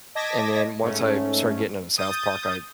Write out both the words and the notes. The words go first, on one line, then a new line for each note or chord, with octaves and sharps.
and then once I started getting into South Park, I
D#5 A5 D6 G#6 A#6 B6
G#2 A3 C#4
D#6 G6 A6